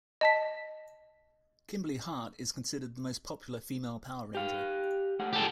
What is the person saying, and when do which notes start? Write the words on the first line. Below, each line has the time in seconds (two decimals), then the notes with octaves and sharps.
Kimberly Hart is considered the most popular female power ranger.
0.21 D#5 A5 B6
4.35 G4 F5
5.19 A3 G#4 F#5
5.33 G4 A4